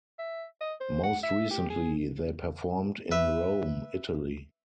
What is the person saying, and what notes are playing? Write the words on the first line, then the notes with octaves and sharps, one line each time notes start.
Most recently, they performed in Rome, Italy.
E5
D#5
C5
F#5
E5
G4
G#4
B4 E5